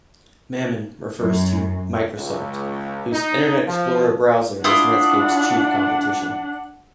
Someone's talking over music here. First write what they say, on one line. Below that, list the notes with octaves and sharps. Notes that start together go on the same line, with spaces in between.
"Mammon" refers to Microsoft, whose Internet Explorer browser was Netscape's chief competition.
F#2
C#2
D#4
F3
D4 E4 F4 F#5 D#6